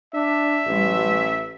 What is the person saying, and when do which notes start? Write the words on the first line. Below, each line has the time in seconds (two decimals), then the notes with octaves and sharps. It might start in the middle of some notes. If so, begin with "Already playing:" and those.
I know.
0.14 D4 E5
0.67 A1